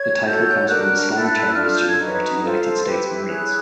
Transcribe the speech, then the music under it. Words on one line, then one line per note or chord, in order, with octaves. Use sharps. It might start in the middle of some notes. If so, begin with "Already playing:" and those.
The title comes from the slang term used to refer to United States Marines.
Already playing: C#5 G#6
F#4 A4 C#5 G6
D4 F#4 A#4 F#6
E4 A4 C5
D4 F4 A4 F6
F6
G6
G#6
D#4 F#4 B4
F4 A4 C5
E4 G4 B4
E4 G#4 C#5 F#6